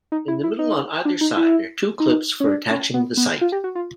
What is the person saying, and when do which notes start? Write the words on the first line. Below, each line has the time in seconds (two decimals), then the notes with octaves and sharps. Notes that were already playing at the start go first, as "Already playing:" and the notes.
In the middle on either side are two clips for attaching the sight.
0.12 D#4
0.28 E4
0.44 E4
0.59 D#4
1.05 D4
1.21 D#4
1.37 E4
2.00 D#4
2.40 C#4
2.47 D4
2.71 C#4
2.94 B3
3.17 B3
3.41 F4
3.52 G4
3.64 F#4
3.75 F4